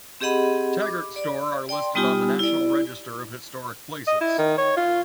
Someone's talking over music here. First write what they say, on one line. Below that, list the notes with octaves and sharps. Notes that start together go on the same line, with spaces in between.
Taggart Store are listed on the National Register of Historic Places.
C4 G4 G#4 D#5 F#5 B5
D6
D5
D5 G5 A5 C6
G3 B3 D#4 F4 G4 G#5
E4 D5
D#5
E4
D#3
C#5
F4